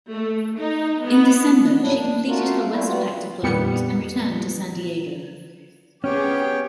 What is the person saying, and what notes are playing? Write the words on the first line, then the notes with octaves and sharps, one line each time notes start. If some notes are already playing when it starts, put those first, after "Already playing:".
In December, she completed her WestPac deployment and returned to San Diego.
A3
D#4
B3
F2 A2 F#3 D4 E4
D4
A3 F4 F#4 A#4
G3 A3 A#3 E4 F4
G3 B3 F4 F#4
F2 A#2 G3 B3 C#7
B3 C#4 G4 G#4 C#5 G5